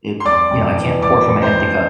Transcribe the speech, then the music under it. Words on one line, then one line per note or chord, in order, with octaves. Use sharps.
it, you know I can't pour from a empty cup.
C6
F2 D5 D6
F2
E3
F2 D5 D6
F2
C5 C6
F2